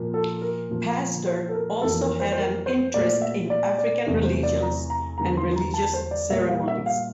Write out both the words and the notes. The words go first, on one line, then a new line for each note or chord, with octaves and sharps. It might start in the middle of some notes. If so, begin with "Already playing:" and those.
Pazder also had an interest in African religions and religious ceremonies.
Already playing: A#2 F3 A#3
A4
A#4
A#2 F3 A#3
C5
A4
A#4
F2 E3 A#3 A4
A#4
C5
C5
A#4
C5
A#2 A3 D5
E5
D5
D5
E2 C3 E3 A3
C5
D5
A#5
A#5
E2 D3 G3 A#3 A#5
C6
A#5
A5
C5
D5
A#2 G3 A#3 E5
F5
E5
F5